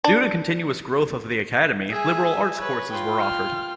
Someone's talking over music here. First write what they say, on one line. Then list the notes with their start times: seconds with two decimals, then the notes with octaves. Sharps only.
Due to continuous growth of the Academy, liberal arts courses were offered.
0.04 D4
1.91 G#4 E5 G#5
2.58 B4 C#5
2.90 F4 G5
3.20 F6